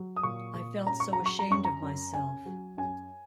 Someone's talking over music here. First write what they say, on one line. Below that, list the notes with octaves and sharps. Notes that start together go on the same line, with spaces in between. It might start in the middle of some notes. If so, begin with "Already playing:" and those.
I felt so ashamed of myself.
Already playing: F#3
D#6
A#2 C#6
A#2
C#4 A#5
C#6
A#5
F#3
C#6
A#5
F#2 C#6
A#5
F#2
C#4 G#5
F#3
F#2 G#5